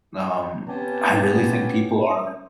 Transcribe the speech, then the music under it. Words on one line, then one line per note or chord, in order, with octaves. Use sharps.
Um, I really think people are
C3 B3 C#4 G4 G#5 A5